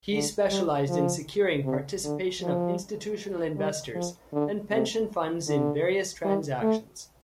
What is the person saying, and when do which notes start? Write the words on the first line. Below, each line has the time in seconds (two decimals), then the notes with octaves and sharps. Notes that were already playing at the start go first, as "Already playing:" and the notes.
He specialized in securing participation of institutional investors and pension funds in various transactions.
0.13 D3
0.50 G3
0.89 F3
1.65 C3
2.04 D3
2.42 F3
3.56 G3
3.94 F3
4.33 D3
4.71 C3
5.48 D3
6.24 G3
6.62 A3